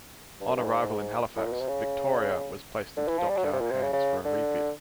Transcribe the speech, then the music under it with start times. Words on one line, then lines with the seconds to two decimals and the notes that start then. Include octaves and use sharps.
On arrival in Halifax, "Victoria" was placed into dockyard hands for a refit.
0.40 G2
0.48 F#2
0.57 G2
0.65 G#2
1.36 A2
1.45 A#2
1.53 B2
1.61 C3
1.69 C#3
2.97 D3
3.08 E3
3.18 F3
3.29 G3
3.37 F#3
3.45 D3
3.53 C3
3.61 A#2
3.71 C3
3.82 C#3
3.93 C#3
4.25 D3